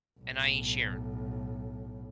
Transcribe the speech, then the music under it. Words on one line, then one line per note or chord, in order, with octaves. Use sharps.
and I ain't sharing."
B1 A2